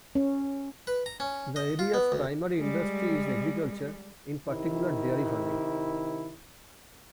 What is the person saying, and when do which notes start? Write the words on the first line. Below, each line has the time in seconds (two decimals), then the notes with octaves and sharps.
The area's primary industry is agriculture in particular dairy farming.
0.15 C#4
0.87 B4
1.06 A#5
1.20 C#4
1.56 D#5
1.79 F4
1.94 B3
2.12 D2
2.56 G3 G#3
4.48 C3 D#3 E4